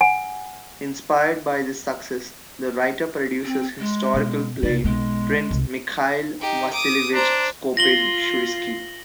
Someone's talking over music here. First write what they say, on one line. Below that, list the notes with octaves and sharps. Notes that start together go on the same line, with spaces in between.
Inspired by this success, the writer produces historical play "Prince Mikhail Vasilievich Skopin-Shuysky".
F#5 G#5
C4
G#3
B2
C2 D#4 D5
B1 G#3 B3
C2
D#4 G4
D6 D#6
D4 C5 A#5
F4 A#6 F#7 G7